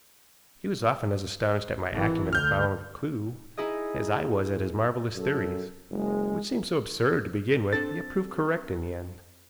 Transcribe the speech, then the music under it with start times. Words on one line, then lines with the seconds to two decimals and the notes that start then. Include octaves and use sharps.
He was often as astonished at my acumen in following a clew as I was at his marvelous theories, which seemed so absurd to begin with yet proved correct in the end.
1.91 G#1 E3
2.33 D2 D3 F6 G6
3.57 D#4 E4 G#4 D#5
5.16 F#2 A4
5.90 F#1 G#3
7.73 C4 D4 A4 A6